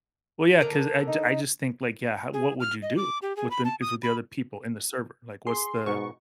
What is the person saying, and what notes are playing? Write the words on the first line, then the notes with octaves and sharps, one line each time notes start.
well, yeah, 'cause I'd I, just, think, like, yeah, h what would you do within is with the other people in the server? Like what's the
D3 A#4
D#4
G#4
F6
D#5
D6
G4
G#4
B5
A5
D#6
B5
G#4 C6
G#2 B2 B3 D#4 C#6